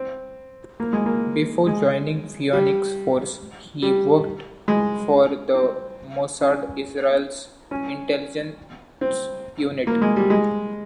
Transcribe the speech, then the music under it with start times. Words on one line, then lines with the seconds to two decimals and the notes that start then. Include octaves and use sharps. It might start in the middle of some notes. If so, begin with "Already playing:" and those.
Before joining Phoenix Force, he worked for the Mossad, Israel's intelligence unit.
Already playing: C4
0.80 A#3
0.93 G#3
1.06 A#3
1.67 G#3
2.53 G3
3.82 G3
4.68 G#3
5.55 C4
6.41 C#4
7.71 C#4
9.01 C4
9.87 A#3
10.02 G#3
10.16 G3
10.30 G#3